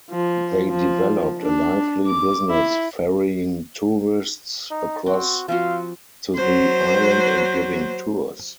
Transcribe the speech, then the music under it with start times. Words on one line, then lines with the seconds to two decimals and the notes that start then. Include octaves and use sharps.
They developed a lively business ferrying tourists across to the island and giving tours.
0.10 F3
0.68 F3
1.43 D4
2.06 D6
2.50 E4
4.70 D#4
5.06 C4 F#4
5.48 F3 C4 F#4 F5
6.35 F#3 C5